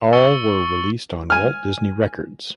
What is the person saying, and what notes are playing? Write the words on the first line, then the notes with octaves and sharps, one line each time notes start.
All were released on Walt Disney Records.
C#6 E6 A6 C#7 G7
G#5 F6